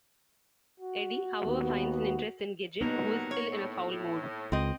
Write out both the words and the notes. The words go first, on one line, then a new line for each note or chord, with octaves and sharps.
Eddie, however, finds an interest in Gidget, who is still in a foul mood.
F#4
D#2 B3
G2 F#3 A#3 B3 D#4 A#4
C#5
A2
C#2 C4 D#5